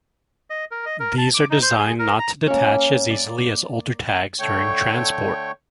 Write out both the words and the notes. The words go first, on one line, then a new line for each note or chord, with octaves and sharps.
These are designed not to detach as easily as older tags during transport.
D#5
A#4
D#5
A#4
A5
D6
D#4
C5
G#4
A#4
A#5
A#3 C#4
D5
D3 A3 C#5 G5 C#6